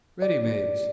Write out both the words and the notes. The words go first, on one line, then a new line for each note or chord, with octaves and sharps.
Ready mades.
D5